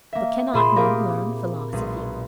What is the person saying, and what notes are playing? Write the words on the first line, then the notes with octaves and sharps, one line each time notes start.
"But cannot one learn philosophy?"
A#3 E5
A#2 C4 G#4 B5 C6 E7
A#3 G4 G#4 A#4
B1 G#3